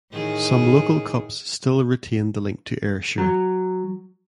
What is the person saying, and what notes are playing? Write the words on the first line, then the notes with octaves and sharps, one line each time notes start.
Some local cups still retained the link to Ayrshire.
A2 D#3 G#4
F#3